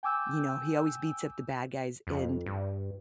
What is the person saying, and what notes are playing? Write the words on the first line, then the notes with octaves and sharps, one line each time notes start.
you know, he always beats up the bad guys in
G5 G#5 D6 E6 G6
F2
G2